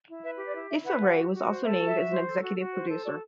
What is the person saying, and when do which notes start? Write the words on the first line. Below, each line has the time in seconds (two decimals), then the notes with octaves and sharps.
Issa Rae was also named as an executive producer.
0.08 E4
0.23 B4 E5
0.38 G4
0.46 D5
0.54 E4
0.70 E4 E5
0.85 B4 F#5
1.02 G4 F#5
1.18 F#4
1.32 F#4
1.49 C5
1.63 A4 E5
1.80 F#4
1.87 E5
1.95 F#4
2.11 C5
2.27 A4
2.43 F#4
2.58 F#4
2.73 C5
2.89 A4
3.05 F#4 D5